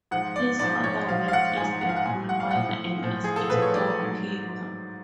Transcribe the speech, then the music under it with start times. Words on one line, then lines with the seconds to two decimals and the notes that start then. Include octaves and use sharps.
His father worked as a coal miner and as a storekeeper.
0.11 G#2 F3 F#5
0.36 D5
0.59 G#2 F3 D5
0.83 C#5
1.08 G#2 F3 F5
1.28 F5
1.33 F#5
1.57 G#2 F3 G#5
1.81 F#5
1.89 F5
1.96 F#5
2.06 A2 F3 G#5
2.29 F#5
2.40 F5
2.51 A2 F3 F#5
3.02 A2 F3
3.24 G#4
3.36 A4
3.50 A2 F3 B4
3.62 C#5
3.75 D5
3.99 G#2 F#3
4.48 G#2 F#3